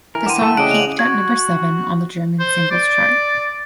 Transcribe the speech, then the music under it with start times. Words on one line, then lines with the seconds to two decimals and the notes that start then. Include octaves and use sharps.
The song peaked at number seven on the German Singles Chart.
0.15 E3 A#4
0.26 F#5 G5 C6 D6 D#7
0.42 A3 A4
0.57 C#3 D5 D#5 F#5 G5 D7
0.71 F7 F#7
0.99 F#4 G#6
2.40 C5
2.71 D5